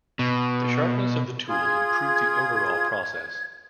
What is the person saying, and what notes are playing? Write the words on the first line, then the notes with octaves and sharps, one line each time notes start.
The sharpness of the tool improved the overall process.
B2
F4 G#4 G#6